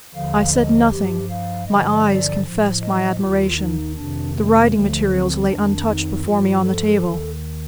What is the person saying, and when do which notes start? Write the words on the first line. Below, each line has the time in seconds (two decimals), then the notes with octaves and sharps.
I said nothing; my eyes confessed my admiration; the writing materials lay untouched before me on the table.
0.14 D#2 D3 F3 F5
0.53 D#5
0.91 G2 F3 G4
1.30 F5
1.67 G2 D3 F3 D#5
2.05 D5
2.43 A2 F3
2.81 D#5
3.19 D#2 D#3 F4
3.58 D#4
3.96 F2 C3 D#3 D4
4.34 A3
4.72 D2 D3 F3
5.10 C4
5.48 F2 D#3 D4
5.86 D#4
6.24 G2 F3 F4
6.63 A4
7.01 D#2 D#3